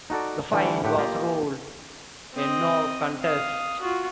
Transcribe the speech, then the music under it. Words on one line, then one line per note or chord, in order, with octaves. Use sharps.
The fight was ruled a no contest.
D#4 F#4 A4 D5
D3 E3 G3 A3
A2 G4 F#5
A#3 F4 G4 D#5
C4 D#5
F5 D#6
F4 F#4